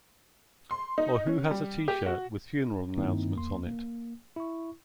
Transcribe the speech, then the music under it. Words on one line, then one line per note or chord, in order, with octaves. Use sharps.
Or who has a T-shirt with funeral announcements on it?
C6
D#4
C#4
G3
G4
F#4
G2 D#3 A#3 C4 D#4 E4
E2 A#3 C6
A#3
E4 C#6